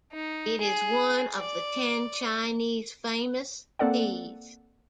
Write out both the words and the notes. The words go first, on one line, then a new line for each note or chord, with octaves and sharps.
It is one of the ten Chinese Famous Teas.
D#4
G#4
D5
A#3 C4 A4 D5 F#5